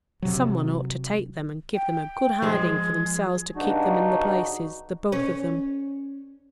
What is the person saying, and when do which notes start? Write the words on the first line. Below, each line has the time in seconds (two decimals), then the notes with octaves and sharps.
Someone ought to take them and give them a good hiding for themselves to keep them in their places, the both of them.
0.22 C3 F#3
1.74 G5
2.42 F3 G#3 G#4
3.55 G2 C#3 D4 D#4 F#4
5.12 C#4